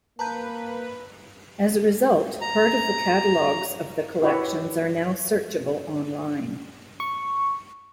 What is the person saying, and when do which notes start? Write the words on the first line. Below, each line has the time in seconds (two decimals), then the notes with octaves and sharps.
As a result, part of the catalogues of the collections are now searchable online.
0.19 A#3 B4 A5 A#5 G6
2.41 A#5
4.22 E4 F#4 G4 B4 C#5
7.00 C#6